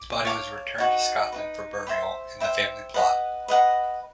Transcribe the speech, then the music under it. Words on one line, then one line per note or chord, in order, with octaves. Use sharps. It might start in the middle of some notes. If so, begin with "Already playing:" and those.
His body was returned to Scotland for burial in the family plot.
Already playing: D6
C#5 F5 A5 D6
D#4 F#4 B4
D#4 F#4 B4
C5 E5 G5 B5
C5 E5 G5 B5
B4 D#5 F#5 A#5
B4 D#5 F#5 A#5